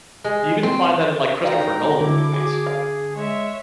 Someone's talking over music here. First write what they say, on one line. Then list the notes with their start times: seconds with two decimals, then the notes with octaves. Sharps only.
You even find that in, like, Christopher Nolan movies,
0.24 G#3
0.63 C4
1.43 D#4 F#4 D5 F5 G5 A#5
2.01 D3 E4 D6
2.33 F#4 G#4 G#5
2.66 F5
3.16 G#3 C#5 E5